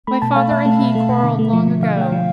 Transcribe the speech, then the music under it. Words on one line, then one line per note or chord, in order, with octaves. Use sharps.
My father and he quarrelled long ago.
A3 B5
B2 A5
A3 F5
B2 E5
A3
B2
A3
B2
D3
A3
F3
D3
D3 F5
A3 G5
F3